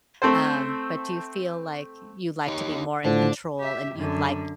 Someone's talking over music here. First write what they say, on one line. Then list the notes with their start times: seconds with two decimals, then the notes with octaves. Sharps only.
um, but do you feel like, you like to be more in control, and you like
0.22 A3 C4 A4 C5
2.48 D#4 G4 C#5
3.04 A2 D3 F3 D4
3.59 G4 E5
3.95 F#2 D3